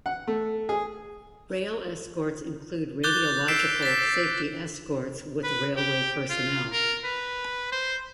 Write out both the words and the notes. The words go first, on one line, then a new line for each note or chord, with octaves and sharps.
Rail escorts include radiological safety escorts with railway personnel.
F#5
A3
G#4
D6 F#6 G6 A6 G7
E6 B6 C7 D7 E7
A6 B6
B4
G4
F4
A#4
B4
C5